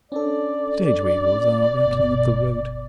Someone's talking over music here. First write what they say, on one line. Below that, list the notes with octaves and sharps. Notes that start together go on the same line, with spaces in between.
Stage-wheels are rattling up the road.
C#4 D4 A4 D5
G1 B2